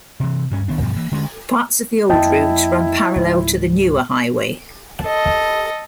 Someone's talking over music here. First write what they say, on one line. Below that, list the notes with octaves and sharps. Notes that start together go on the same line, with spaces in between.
Parts of the old route run parallel to the newer highway.
C3 E3
D2 G2 A3 C#4
C2 D#3 B3 D4
G2 B2 F3 B3
E3 A#3
D3 G#3 C#4
F2 A#3 E4 D#5 G5 A5
C#2 G#2 G3
A4 D#5